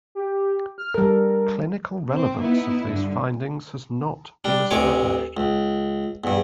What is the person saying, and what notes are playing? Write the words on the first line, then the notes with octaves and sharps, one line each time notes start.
Clinical relevance of these findings has not been established.
G4
F6
G3 A4 A#4
C4
B3 D#4 E4
G2 D3
G3 D4
A1 D2 C3 C#5 G#5 D6
C#2
E2 G2